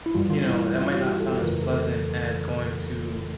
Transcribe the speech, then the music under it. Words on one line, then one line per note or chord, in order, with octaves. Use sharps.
you know, that might not sound as pleasant as going to
E4
G2 E3 G3 F4
F4
E4
F4
F#4
G4
A4
F2 C#3 E3 A3 A#4
A4